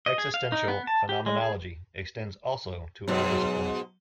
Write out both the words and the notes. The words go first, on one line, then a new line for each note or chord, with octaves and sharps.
Existential phenomenology extends also to other disciplines.
D#5
G#4
F5
D#4
B3
A5
G4
G#3
G#4
G#2 B2 F#3